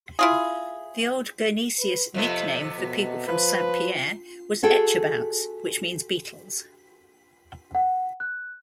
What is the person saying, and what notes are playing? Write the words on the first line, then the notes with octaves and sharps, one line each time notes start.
The old Guernesiais nickname for people from Saint Pierre was "etcherbaots" which means beetles.
E4 F4 G#4
B4
F2 C3 B3 F4
B2
F3 B4
F#4 G#4 A4 G5
F#5
F#6